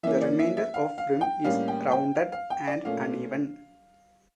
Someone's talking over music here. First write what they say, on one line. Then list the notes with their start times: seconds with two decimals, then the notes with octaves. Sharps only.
The remainder of rim is rounded and uneven.
0.03 E3 A#3 C#4 E5
0.22 D5
0.39 E5
0.57 E5
0.74 F5
0.98 F5
1.21 G5
1.44 A2 G3 A#3 C#4 F5
1.68 G5
1.92 G5
2.15 F5
2.32 F5
2.50 G5
2.67 D5
2.85 A#2 A3 C#4 F5